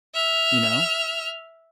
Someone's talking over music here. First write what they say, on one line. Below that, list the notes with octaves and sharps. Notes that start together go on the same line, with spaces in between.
you know?
E5 F6